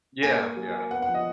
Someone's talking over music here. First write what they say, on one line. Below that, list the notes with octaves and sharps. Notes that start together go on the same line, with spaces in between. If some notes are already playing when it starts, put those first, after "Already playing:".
Yeah, yeah.
A#3 G#5
A#3
F#3
A#3
B3 F#5
F#5
F3
D#5